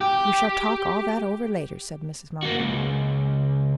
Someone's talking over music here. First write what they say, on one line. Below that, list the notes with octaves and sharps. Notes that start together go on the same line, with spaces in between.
"You shall talk all that over later," said Mrs. Munger.
G4
A#3 F#4
C#2